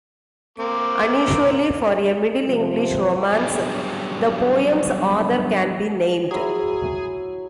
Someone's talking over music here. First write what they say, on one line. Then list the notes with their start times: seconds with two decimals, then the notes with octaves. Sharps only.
Unusually for a Middle English romance, the poem's author can be named.
0.58 A#3 C4 D6
2.48 C3 F3
3.34 F#3 G3 B3 D4 G4 G#4
6.31 F#3 E4 G#4